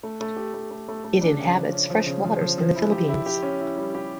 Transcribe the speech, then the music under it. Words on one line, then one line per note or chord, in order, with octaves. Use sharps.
It inhabits freshwaters in the Philippines.
A3
A3
G4
A3
A3
A3
A3
D4
C#3
F3
C#4
F3
C#3
F3
F3
F3
E4
G4
E4
G4
C#4
E4
G3
G4